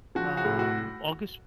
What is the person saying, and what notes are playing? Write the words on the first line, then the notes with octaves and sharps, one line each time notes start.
um August
F3 F#4
F#4
A2
F#4